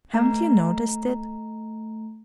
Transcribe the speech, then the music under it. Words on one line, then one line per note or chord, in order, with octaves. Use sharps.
Haven't you noticed it?
A3 A#5